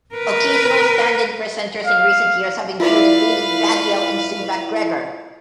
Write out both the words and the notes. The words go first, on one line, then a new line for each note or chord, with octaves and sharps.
Occasional stand-in presenters in recent years have included David Baddiel and Sue MacGregor.
A#4 B4
F5
E4 F4 B4 D5 E5 F5